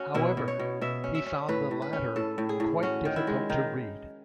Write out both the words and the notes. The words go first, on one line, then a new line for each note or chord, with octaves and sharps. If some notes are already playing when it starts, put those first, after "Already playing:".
However, he found the latter "quite difficult to read".
Already playing: C#4 F#4
B2 E4
B2
C#5
B2
B2 E5
C#4
E5
C#4
A2 B4
A2
B4
C#4
A2 A4
A2
G#4
A2
C#4 F#4
D#3
E4
G#3
D#3 D#4